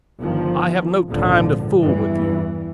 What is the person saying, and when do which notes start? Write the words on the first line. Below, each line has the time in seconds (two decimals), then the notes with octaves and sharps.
I have no time to fool with you.
0.21 G1 D#3 F3
1.10 G#1 C#2 A#2 D3 F3
1.81 E2 G2 E3